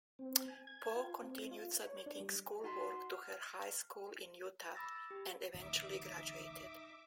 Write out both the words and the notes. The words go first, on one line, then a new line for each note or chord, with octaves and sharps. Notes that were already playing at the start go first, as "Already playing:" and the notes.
Poe continued submitting schoolwork to her high school in Utah and eventually graduated.
C4
G#5
G#6
F4
C4
F4
C#5
D4
G3
D#4 F#4 F#5 A#5 C6
F#5
F6
B5 D6 E6 A6 A#6
G4
D1 A1 D#3 D#4 E5 D6